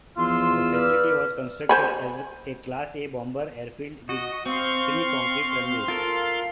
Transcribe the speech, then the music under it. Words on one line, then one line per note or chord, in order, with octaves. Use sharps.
The facility was constructed as a "Class A" bomber airfield with three concrete runways.
E2 F3 F4 C6 E6
B4 D5 F6
C5 G#5 B5
F#4 D#5
C4 F5 C6 C#6
F4 A4 A#4